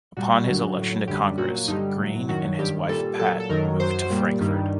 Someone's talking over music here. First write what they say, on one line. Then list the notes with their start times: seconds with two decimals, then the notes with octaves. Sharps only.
Upon his election to Congress, Green and his wife Pat moved to Frankford.
0.17 A#2 G3 F#4
0.47 F#2 D3 F#3
0.77 A2 F#3
1.07 F#2 D3 G3 G4
1.38 A#2 F#3 F#4
1.68 G2 D3 G3 D#4
1.99 A2 F#3
2.29 F#2 D#3 F#3 F#4
2.59 G2 D#3 G3 G4
2.89 A#2 G3 A4
3.19 A#2 F#3 A4
3.40 A4
3.49 F#2 D#3 F#3 A#4
3.80 F#2 F#3 C5
4.10 A#2 G3
4.41 G2 D#3 G3